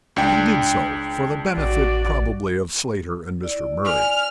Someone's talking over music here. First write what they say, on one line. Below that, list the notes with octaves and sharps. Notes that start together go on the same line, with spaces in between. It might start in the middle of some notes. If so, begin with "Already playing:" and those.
He did so--for the benefit, probably, of Slater and Mr. Murray.
C#2 D4 G5
A1 F#4 D5
E4 D5
D5 G#5 F6